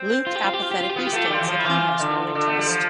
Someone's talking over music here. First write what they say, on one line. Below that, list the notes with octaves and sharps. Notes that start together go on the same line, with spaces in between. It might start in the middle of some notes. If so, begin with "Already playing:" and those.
Luke apathetically states that he has no interest.
Already playing: C4
F4
G4
F4
G4
F4
G4
F4
G4
B3 F4
G4
A3 F4
G4
G3 F4
E3
F3
E4
E3 F4
D3
D3
A3
G3
F3